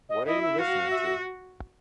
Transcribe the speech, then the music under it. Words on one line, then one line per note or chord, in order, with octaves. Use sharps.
What are you listening to?
D#5
E4 D#5
E5
F#4 F5
E5